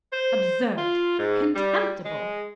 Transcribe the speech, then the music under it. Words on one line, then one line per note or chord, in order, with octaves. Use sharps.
Absurd! contemptible!
C5
F4
G#2
G3
G#3